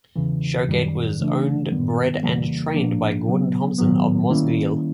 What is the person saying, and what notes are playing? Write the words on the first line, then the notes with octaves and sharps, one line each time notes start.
Show Gate was Owned Bred And Trained by Gordon Thomson of Mosgiel.
E2 C#3 E3
F#2 D#3 G3
C#3 E3 A3 D4
G2 D#3 G3 B3
F2 C#3 E3 G3 A#3
A#2 F3 A#3 D4
C#3 F#3 B3
G#2 D#3 F#3 B3
D#3 G3 A#3 C#4 E4